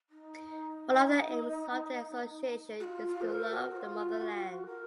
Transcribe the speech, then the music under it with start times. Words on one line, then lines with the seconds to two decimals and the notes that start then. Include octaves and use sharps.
One of the aims of the Association is to "love the motherland".
0.09 D#4
2.80 F#4
2.84 F4
3.07 F4
3.21 C5
3.30 A#4
3.52 F#4
3.76 F4
4.20 F#4
4.31 F4
4.41 F#4
4.66 A#4